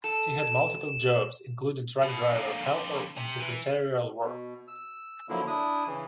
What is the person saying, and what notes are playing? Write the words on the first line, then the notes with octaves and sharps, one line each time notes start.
He had multiple jobs, including truck driver helper and secretarial work.
A4 E7
B2
D3 A#3
F2 D3
C3
E3
B2
E6
D3 F3 F#3 A#3 E4
D4 E4 D#6
C#3 E3